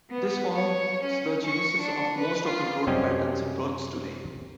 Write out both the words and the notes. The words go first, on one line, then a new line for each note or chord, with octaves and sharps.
This forms the genesis of most of the road patterns in Rothes today.
B3
C#5
C#4
C#6
D4
B4
F4
F#2 C3 G3 C#4 G4 D#5